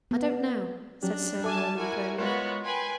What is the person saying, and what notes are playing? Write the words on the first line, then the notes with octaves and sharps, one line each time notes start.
"I don't know," said Sir Norman, gloomily.
B3
F#3 C#4 D4 G4
G3 A4 E5 G#5 A5 D6
E4 F#4 A#4 G#5
G#3 B3 F4 F#4 A#4 C#5
B4 G5 G#5 C6